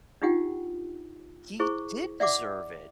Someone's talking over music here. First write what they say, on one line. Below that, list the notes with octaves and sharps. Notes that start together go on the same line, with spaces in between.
He did deserve it.
D4 D#4 F4 G4 F#5 G5
E4 G#4 C5 C#6
D5 E5 F#5 D6